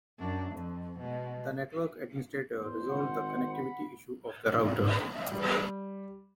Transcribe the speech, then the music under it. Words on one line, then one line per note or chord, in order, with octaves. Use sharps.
The network administrator resolved the connectivity issue of the router.
F#2 D4
F2
B2 G#3
E2 C5
G#1 F#5
B5
G3